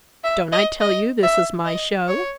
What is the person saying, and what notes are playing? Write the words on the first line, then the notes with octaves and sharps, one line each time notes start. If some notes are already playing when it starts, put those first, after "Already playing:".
Don't I tell you this is my show?
E5
D#5
D#5
E5
D#5
C#5